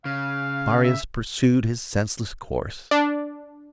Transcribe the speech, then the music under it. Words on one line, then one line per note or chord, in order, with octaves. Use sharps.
Marius pursued his senseless course.
C#3 F5
E5
D4